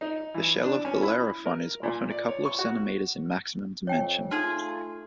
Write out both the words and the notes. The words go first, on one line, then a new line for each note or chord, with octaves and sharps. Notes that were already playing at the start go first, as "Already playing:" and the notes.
The shell of "Bellerophon" is often a couple of centimeters in maximum dimension.
D#4
E3
D4
C#4
E4
A#4
A#2
D5
C#5
C#6
F#4
F2 C#5 G5 G#5
A3 D#4 F4 G#4